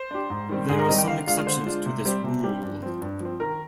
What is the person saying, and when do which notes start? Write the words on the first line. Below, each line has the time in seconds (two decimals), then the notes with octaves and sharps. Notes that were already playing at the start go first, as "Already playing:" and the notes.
There are some exceptions to this rule.
Already playing: C5
0.11 D4 G4
0.30 G#2
0.49 D#3 G3 C4
0.69 G#2 G#4
0.79 A#4
0.88 D#3 G3 C4 D#5
0.98 G5
1.07 D3 F5
1.27 G#3 D4 F4 F5
1.46 D3 C5
1.66 G#3 D4 F4
1.86 C3
2.05 G3 C4 G4
2.24 C3
2.43 G3 C4 G4
2.63 G2
2.83 F3 C4
3.02 G2
3.20 F3 C4
3.40 D#3 A#4